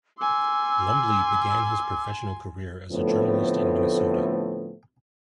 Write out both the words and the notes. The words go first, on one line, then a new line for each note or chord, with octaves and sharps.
Lumbly began his professional career as a journalist in Minnesota.
G#5 C6 D6 E6
A2 D3 F3 A3 B3 C4